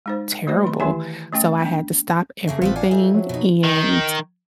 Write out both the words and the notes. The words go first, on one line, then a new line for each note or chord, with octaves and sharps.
terrible, so I had to stop everything and,
G#3 D#4 C5
A3 F#4 C5 D5
D#3 B5
D#3 E3 E4 G4 E5 G#5
A3 C#4 G5
B3 D4
C#3 A3 A#3 G#4
G#1 A2 E3 F3 A3 C4 F4 B4
D4 F5 F#5 G#5
F2 G#4 E5
F3 F#3
B2 D#4
D#3